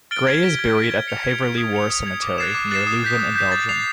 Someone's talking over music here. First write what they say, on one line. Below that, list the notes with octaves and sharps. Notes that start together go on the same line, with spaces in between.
Gray is buried at the Heverlee War Cemetery near Leuven in Belgium.
F6 A6 D7 G7
G#6
B6 D7
G#6
B6 D7
G#6
C#7 F7
G#6
C#7 F7
D#6
G#6 C#7 F7
D#6
G#6 C#7 F7
D6
F#6 A6 C7 E7
D6
F#6 A6 C7 E7
D#6
G6 B6
D#6
G6 B6
A6
C7 F7